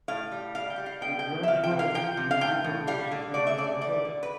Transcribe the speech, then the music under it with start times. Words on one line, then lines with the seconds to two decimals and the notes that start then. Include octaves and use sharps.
He graduated from the University of Alberta.
0.08 A2 F5
0.32 G3
0.55 G3 F5
0.70 G5
0.78 G3
0.86 F5
1.01 B2 G5
1.19 G5
1.24 B2
1.43 E5
1.47 C3 F5
1.64 G5
1.71 C3
1.79 F5
1.94 F3 G5
2.17 C3
2.31 F5
2.41 A2 G5
2.64 A2
2.87 G3 F5
3.12 D3
3.34 A3 D5
3.47 E5
3.58 D3 D5
3.81 G3 D5
4.05 D3
4.23 B4